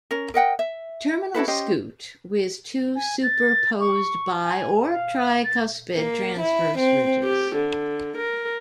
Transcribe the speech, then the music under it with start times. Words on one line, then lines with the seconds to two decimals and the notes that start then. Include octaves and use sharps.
Terminal scute with two superposed bi- or tricuspid transverse ridges.
0.11 C#4 A#4
0.34 A#4 D#5 F#5 G5
0.59 E5
1.35 E4 F#4 A4 B4
1.48 C#4 G4 C5 D#5
2.96 G#5
3.23 A6
3.80 C#6
4.44 G#5
4.91 F5
5.44 A6
5.94 A#3
6.40 E4
6.78 C4
7.24 G4
7.55 D3
8.17 A#4